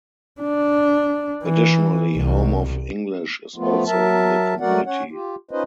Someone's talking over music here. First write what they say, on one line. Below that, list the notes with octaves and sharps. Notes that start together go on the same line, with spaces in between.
Additionally Home of English is also in the community.
D4
E3
C2
F3 A3 B3 F4
F#3 A#4 E5 A5
F#3 A3 F#4 A#4 D5 F#5
C#4 C#5 F#5
F4 G4
C#4 D#4 F4 B4 C5 D#5